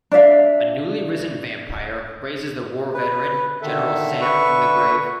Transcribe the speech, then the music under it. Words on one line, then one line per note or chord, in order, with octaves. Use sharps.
A newly risen vampire raises the war veteran General Sam from the grave.
D4 D5 E5 F5
B4
D3 D#3 A4 E5
B4 C#6